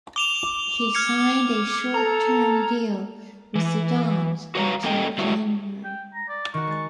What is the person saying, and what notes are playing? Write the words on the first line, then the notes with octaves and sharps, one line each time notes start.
He signed a short-term deal with the Dons until January.
D6 E7 F7 G7
F6 G#6 C#7
A4 A#5
E3
F#4 B4 C#5 F5 A#5
A#3 C#4 A4 D#5 G5
F#3 G3 E4 F#4 C#5
G5
A#5
D5
D#3 F#4 C#6
G#3 A6